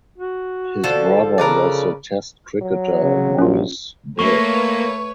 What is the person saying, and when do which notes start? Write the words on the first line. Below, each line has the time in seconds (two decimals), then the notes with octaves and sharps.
His brother was the Test cricketer Morice Bird.
0.18 F#4
0.84 D3 F3 A4
1.38 C#3 A#4 B4 D5
2.62 F#3
3.03 C#3
3.38 A#1 C#4 F4
4.19 A3 A#3 B4 C#5 C#6